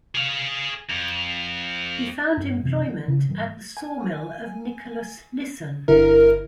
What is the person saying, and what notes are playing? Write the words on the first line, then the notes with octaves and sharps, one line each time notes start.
He found employment at the sawmill of Nicholas Lisson.
G#4 F5
F2
G2
F#2 C3 E3 C4
E3
C#3 C#4
G#2 E3 G3
G#5
G1 D3 E4 A#4